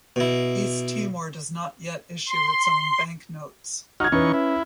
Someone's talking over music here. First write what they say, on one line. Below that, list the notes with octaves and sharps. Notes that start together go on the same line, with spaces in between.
East Timor does not yet issue its own banknotes.
B2 E4
C6
D#4 F#4 F6 G#6
E3 C#4 D#4 B4 C#6
E4